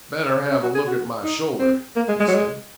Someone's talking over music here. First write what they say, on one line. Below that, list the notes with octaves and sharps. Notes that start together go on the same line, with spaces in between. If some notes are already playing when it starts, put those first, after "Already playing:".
'Better have a look at my shoulder,' he said.
C#4
F#4
G#4
F#4
D#4
C4
A#3
G#3
G#3
F#3
G#3